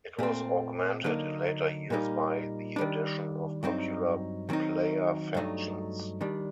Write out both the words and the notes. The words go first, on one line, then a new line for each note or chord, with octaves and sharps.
It was augmented in later years by the addition of popular player factions.
A#2 A3 C4
D3 F#3 A#3 D#4
A#2 G3 A#3 D#4
D#3 G3 D4
G2 F#3 C4 D#4
D#3 F#3 C4 D#4
G2 F#3 A3 D#4
D#3 G3 D4